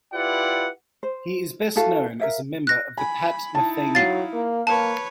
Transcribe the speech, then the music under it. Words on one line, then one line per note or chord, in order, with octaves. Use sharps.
He is best known as a member of the Pat Metheny Group.
E4 F4 G4 B4 D5 F#5
C5
E4 F#4 A4 F5
A#4 E5 F5
F#6 A#6
G#5 B5
D#4 E4 A5
F#3 F5 A6 C7
A#3
A#3 B4 C#5 A5